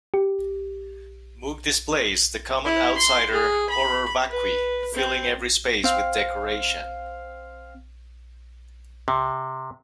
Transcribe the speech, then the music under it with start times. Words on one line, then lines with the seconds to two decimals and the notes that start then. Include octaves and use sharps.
Moog displays the common outsider "horror vacui," filling every space with decoration.
0.14 G4
2.65 E4
2.97 C6
3.32 G#4
3.70 B5
4.29 B4
4.94 C4
5.84 C4 F5
9.08 C3